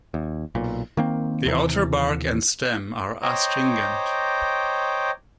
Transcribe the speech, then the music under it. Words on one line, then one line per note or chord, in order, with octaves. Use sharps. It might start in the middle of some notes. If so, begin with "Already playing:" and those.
The outer bark and stem are astringent.
D#2
B1 A#2
D#3 A#3 C4
D#2 C3 E3
C5 C#5 D#5 G5 A#5 D6